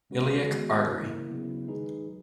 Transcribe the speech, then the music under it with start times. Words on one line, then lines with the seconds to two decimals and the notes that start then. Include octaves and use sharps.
Iliac artery.
0.10 C#3 G#3 C#4 F#4 B4
0.49 D#3 G#3 B3 F#4
0.89 C#3 E3 A#3 E4 A#4
1.28 C#3 F#3 B3 E4
1.67 D#3 G#3 D#4 G#4 B4
2.06 F#3